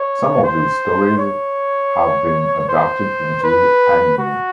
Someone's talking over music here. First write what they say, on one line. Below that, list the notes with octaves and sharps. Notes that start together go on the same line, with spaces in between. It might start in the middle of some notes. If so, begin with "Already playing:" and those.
Some of his stories have been adapted into anime.
Already playing: C#5
C5
C#5
C5
B4
F#4